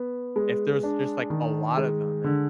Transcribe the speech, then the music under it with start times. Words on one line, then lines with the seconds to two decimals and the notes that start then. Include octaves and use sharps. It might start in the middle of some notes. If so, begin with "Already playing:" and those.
if there's just, like, a lot of them, and
Already playing: B3
0.36 G#3
0.83 D4
1.30 D#3
1.77 G#3
2.24 D3